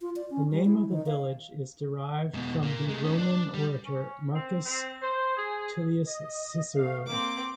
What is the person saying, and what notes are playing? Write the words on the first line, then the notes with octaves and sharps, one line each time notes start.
The name of the village is derived from the Roman orator Marcus Tullius Cicero.
F4
D5
C#4
G3
E4
D#3
F5
G#2 B2
A#2 A#3
G#3 A3
D#3 C#4
D4
G3
C#4
C4
C4
C5
G#4
D#5
A3 F5
A#3 C4 D6